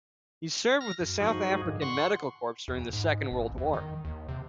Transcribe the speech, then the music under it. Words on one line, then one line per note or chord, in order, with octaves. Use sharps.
He served with the South African Medical Corps during the second world war.
F6 A#6
F#2
G2 F3 D#4 F#4 G#4
G#2 D3 D#3
F#5 C6 C#6
E2
G#2
G#1
E2
D#3
D#2
C3